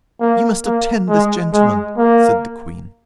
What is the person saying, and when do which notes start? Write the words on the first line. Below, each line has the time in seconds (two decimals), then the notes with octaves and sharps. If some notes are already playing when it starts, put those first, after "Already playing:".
"You must attend this gentleman," said the Queen.
0.21 A#3
0.65 A#3
1.09 G#3
1.53 G#3
1.98 A#3